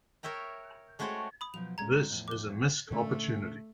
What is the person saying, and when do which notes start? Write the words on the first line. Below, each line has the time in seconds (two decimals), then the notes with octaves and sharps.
This is a missed opportunity.
0.23 A#4 C#5 E5 G5 A#5
0.99 G#3 A3 F#4 C5 C#5 G5
1.41 B5 D#6
1.54 B2 F3 F#3 F7
1.78 D2 G#3 C#4 A#5 G#6
2.09 E2 A2 F3
2.28 D6 G7
2.90 A#2 D3 A3 C#4